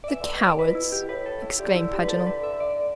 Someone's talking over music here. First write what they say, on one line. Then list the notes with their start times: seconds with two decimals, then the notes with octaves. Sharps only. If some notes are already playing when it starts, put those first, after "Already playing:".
"The cowards!" exclaimed Paganel.
0.04 D5
0.08 E3 E5
0.20 D3 E5
0.33 B2
0.42 D3 D5
0.58 B2 B4
0.75 E4
0.92 G4
1.09 A2 B4
1.26 A4
1.42 E4
1.59 D3 G4
1.76 E4
1.93 G4
2.04 B4
2.10 A4
2.27 B4
2.44 E5
2.60 D5